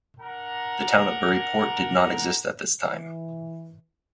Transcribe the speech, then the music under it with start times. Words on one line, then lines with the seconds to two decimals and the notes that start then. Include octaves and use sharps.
The town of Burry Port did not exist at this time.
0.20 D4 A#4 F#5 A#5
2.87 E3